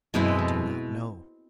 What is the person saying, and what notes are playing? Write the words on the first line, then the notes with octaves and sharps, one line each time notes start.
"I do not know."
F#2 B2 G#3 C4 E4
F2